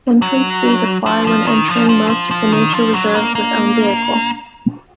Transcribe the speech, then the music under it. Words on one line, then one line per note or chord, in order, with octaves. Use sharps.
Entrance fees apply when entering most of the nature reserves with own vehicle.
F#3
F3
F3
D#3
F3
F3
F3
F3
D#3
F3
F#3
A#3
A#3